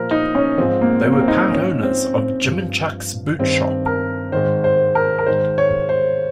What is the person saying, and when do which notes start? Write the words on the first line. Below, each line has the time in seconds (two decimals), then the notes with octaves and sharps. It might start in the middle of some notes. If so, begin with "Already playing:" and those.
They were part owners of Jim and Chuck's Boot Shop.
Already playing: A#2 F3 A#4 C5
0.11 D#4
0.35 C#4
0.58 G#2 F3 C4
0.81 A#3
1.04 C4
1.12 A#3
1.21 C4
1.28 D#4
1.52 G#2 F3 C#4
1.83 C4
2.14 C4
2.45 G2 F3
3.39 G2 D#3 C4
3.86 A#4
4.32 G#2 D#3 C5
4.64 C5
4.95 A#4
5.19 A#4
5.26 G#2 D#3 C5
5.58 C#5
5.89 C5